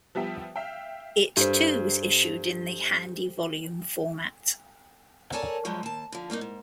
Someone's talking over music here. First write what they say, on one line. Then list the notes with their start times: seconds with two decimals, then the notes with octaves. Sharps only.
It too was issued in the "Handy Volume" format.
0.15 F3 G3 B3 E5 G5
0.56 E5 F5 G5
1.37 G2 G4 A4 C5
5.32 A4 A#4 C#5 D5 G#5 A5
5.65 G2 F3 F#3 G#3
5.83 D#2 A5
6.12 D3 F3
6.30 G2 A#3 D4 D#4
6.41 G#2